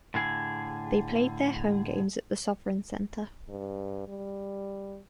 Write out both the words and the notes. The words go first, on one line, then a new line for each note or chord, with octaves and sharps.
They played their home games at the Sovereign Center.
A2 D3 G#4
G2
G3